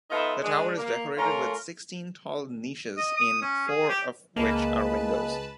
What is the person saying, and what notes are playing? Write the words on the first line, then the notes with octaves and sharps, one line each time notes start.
The tower is decorated with sixteen tall niches, in four of which are windows.
B3 D#4 F4 A4 E5
G#3 D4
A#3
A3 C#4 F4 A#4
D#5
D#6
C#4
G#4
G4
C#2 G#3 A#3 B4 A5